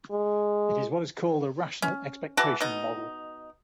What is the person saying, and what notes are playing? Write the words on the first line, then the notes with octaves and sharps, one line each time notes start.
It is what is called a rational expectation model.
G#3
C#4
E3 F#4 D5 A5
B2 D#4